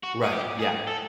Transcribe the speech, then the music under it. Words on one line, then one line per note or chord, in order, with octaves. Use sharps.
Right, yeah.
F#4
G#4
G4
G#4
A4